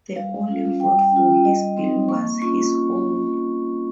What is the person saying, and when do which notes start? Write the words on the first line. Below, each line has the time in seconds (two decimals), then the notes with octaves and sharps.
The only vote for his bill was his own.
0.15 G3 F5
0.48 C#4 F4
0.80 G3 G5
1.12 C#4 F4
1.45 G3 D#5
1.77 C4 D#4
2.09 A#3 C#6
2.41 C#4 F4 C#6